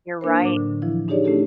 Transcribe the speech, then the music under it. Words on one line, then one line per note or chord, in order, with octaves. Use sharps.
You're right.
A#3 D4 A#4 C5
A2 F#3 D4 D6
D3
E3 F3 E4
D4 D#4 G4 G#4 C#5 D5
A3 C#4 D4 E4 G4 A4